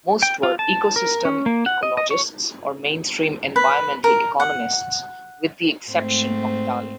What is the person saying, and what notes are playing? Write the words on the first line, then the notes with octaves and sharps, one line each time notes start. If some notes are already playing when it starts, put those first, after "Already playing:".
Most were ecosystem ecologists or mainstream environmental economists, with the exception of Daly.
G5
F4
A5
A#4
C#4
A#3
F#5
D#5
D#5
C#5
B4
A#4
F#5
G#2 A3 C4